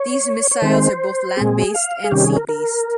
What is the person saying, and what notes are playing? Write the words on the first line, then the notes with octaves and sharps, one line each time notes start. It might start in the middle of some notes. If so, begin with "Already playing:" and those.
These missiles are both land based and sea based.
Already playing: C#5
C#5
D#3 G#3 C4 C5
A#2 G#3 C4 G#4
F5
G#4
C3 D#3 G3 C#4 G4
G#4
A#4
A#4